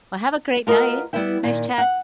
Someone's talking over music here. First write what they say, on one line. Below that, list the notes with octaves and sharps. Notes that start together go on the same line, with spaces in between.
Well, have a great night. Nice chat.
F4 F#4 A#4 B4 D#5
G3 B3 E4 B4 E5 G5
A#2 D#3
F#5